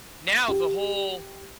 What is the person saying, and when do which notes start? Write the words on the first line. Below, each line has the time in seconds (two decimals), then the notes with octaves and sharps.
now the whole
0.48 G4